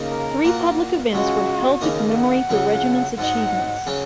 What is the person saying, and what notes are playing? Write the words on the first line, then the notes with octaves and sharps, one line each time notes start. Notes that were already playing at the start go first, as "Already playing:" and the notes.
Three public events were held to commemorate the regiment's achievements.
Already playing: C#3 A#3 D#4
A#4
A#2 A#3 F#4
C#2 C#3 G#3 F#4
D#2 C#3 A#3 D#4
F#5
C#2 C#3 F#3
G#2 F#3 D#4 F#5
C#3 F#3 C#4